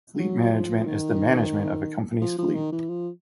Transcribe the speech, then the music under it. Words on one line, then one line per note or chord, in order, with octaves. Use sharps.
Fleet management is the management of a company's fleet.
F#3
F3
D#3
F3
F3
D#3
E3
F3